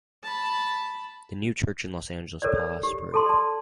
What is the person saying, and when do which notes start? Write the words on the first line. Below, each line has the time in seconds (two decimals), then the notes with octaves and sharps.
The new church in Los Angeles prospered.
0.23 A5 B5
2.42 A4 A#4 C#5 D5
2.83 G4
3.12 F#4 A4 A5 C6
3.26 D5 A5